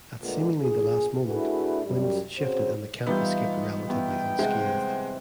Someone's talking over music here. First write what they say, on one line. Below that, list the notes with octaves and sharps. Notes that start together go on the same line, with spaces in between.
At seemingly the last moment, winds shifted and the camp escaped relatively unscathed.
A#2 D3 G#3 A3 B3
A#1 G#4
A3 D4 E4 F#4 G#4 B4
F#2 G3
C#3 C4 F#4 C5
E3 G3 B3 D#4 F4 G6
E2 G5
C3 G#3 F#5